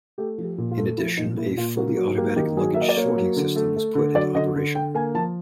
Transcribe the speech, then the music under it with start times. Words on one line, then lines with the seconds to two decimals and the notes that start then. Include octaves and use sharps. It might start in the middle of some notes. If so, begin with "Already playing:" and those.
In addition, a fully automatic luggage sorting system was put into operation.
0.18 A3 G4
0.38 F3
0.44 G4
0.58 A#2
0.71 F4
0.77 A3
0.98 F3 E4
1.17 A#2 D#4
1.37 A#2 E4
1.57 A#2 F4
1.77 A#3 F#4
1.97 F#3 F#4
2.17 A#3 G4
2.36 D#3 G4
2.57 F#3 G#4
2.74 A#3 E5
2.81 D#5
2.88 D5
2.96 A#3 C#5
3.16 F#3
3.36 D3
3.56 A3
3.76 A3
3.95 D3
4.15 F#3 D5
4.35 D3 D#5
4.56 D3
4.75 D3 G5
4.95 A#3 G#5
5.14 F3 A5